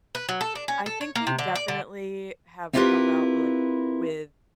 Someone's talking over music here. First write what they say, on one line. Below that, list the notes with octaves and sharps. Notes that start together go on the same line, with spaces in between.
I think they definitely have come out with, like with
B4
F#3
A4
D4
C#4
A4
C#5
A#3
C3
D3
D5
D3
C4 E4 F4 G4 A#4 B4